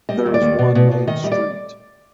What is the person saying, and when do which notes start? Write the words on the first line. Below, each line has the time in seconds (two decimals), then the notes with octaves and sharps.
There is one main street.
0.09 G3 D#5
0.26 D#2
0.34 D5
0.42 D#2
0.59 B2
0.75 B2
0.91 B2
1.07 D#3 D#5
1.24 G3 D#5
1.32 D5